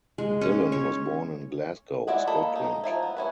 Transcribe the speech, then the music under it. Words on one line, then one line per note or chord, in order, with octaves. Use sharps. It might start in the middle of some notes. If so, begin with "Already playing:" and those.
Dillon was born in Glasgow, Scotland.
G#3
C#4
C#5
G#3 E4 D5 E5 F#5
A#3 A4 D#5 B5
D#4
F3 D#4 E4
B3
C#4 E4 B4